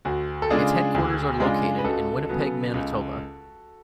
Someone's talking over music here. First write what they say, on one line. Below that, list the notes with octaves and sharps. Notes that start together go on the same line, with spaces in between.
Its headquarters are located in Winnipeg Manitoba.
D2 F#4
A4
C#3 G#3 D4 F4 G#4
D2
C#3 G#3 D4 F4
B4
C#2 F#4 A4
C#3 F#3 B3
C#2